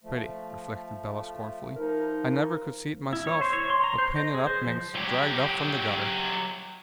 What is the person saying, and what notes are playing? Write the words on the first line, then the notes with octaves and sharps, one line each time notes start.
Pretty!" reflected Bella scornfully, "I never could see it myself; a painted up minx, dragged up from the gutter.
F3 A3
F3 D#4 A#4
E4
C#5
C5
C#5
C6
A#5
C5
D#5
G#4
C5
F3
F#3 G4